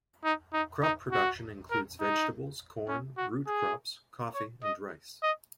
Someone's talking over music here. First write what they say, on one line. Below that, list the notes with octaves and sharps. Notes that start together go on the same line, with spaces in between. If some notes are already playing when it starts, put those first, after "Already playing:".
Crop production includes vegetables, corn, root crops, coffee, and rice.
D#4
D#4
D#4
F#4
A#4
D#4
C#4
F#4
G#4
C#5
D#5
D#5